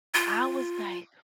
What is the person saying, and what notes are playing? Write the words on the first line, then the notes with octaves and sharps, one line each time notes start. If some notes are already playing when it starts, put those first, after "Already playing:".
I was, like
F4